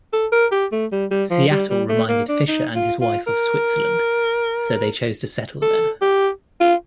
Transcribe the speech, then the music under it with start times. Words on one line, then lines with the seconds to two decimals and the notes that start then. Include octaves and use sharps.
Seattle reminded Fischer and his wife of Switzerland so they chose to settle there.
0.13 A4
0.32 A#4
0.52 G4
0.72 A3
0.92 G3
1.11 G3
1.31 F3
1.51 G3
1.70 G3
1.89 A3
2.09 A#3
2.29 D4
2.48 D#4
2.75 F4
3.01 F4
3.27 A#4
5.62 A4
6.02 G4
6.60 F4